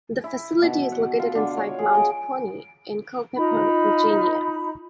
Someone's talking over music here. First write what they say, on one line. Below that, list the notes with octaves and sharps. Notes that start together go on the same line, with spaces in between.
The facility is located inside Mount Pony in Culpeper, Virginia.
E4
B2
F#5
F4
D3
C#5
G#4
D#5
D#4 F4 A#5 B5